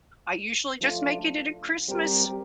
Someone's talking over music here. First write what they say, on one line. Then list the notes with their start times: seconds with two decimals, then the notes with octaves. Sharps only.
I usually just make it it at Christmas.
0.81 F3 A3 D4 F4
1.88 G3 C4 G4 A#4